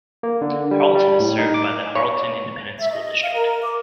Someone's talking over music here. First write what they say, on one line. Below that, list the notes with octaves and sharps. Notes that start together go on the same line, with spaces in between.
Harleton is served by the Harleton Independent School District.
A#3
D3
G3
G3
A2
D#4
D6
C#5
E5
D#5
F5
A#4
D6